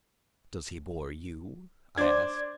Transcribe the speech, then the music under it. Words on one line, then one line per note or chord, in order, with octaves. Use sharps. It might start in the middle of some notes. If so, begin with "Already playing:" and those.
"Does he bore you?" I asked.
D4 C5 D5 G#6